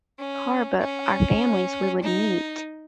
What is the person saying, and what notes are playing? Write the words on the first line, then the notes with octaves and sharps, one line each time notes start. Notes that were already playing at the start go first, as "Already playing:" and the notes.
car, but our families, we would meet
C#4
C#4
D#4